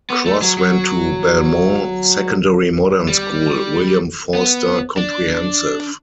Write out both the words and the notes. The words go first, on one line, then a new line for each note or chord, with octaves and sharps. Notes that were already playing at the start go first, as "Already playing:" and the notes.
Cross went to Belmont Secondary Modern School, William Forster Comprehensive.
B3
A3
F#3
F#3
G3
B3
D4